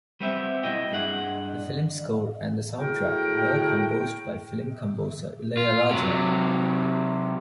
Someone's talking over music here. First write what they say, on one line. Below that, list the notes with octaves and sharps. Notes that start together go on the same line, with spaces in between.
The film score and the soundtrack were composed by film composer Ilaiyaraaja.
G3 B3 C4 G4 E5
B2 E4 D#5 G5
G2 G#4 F#5
A2 F#4 G#4 A#4 G5
F4
C3 F#3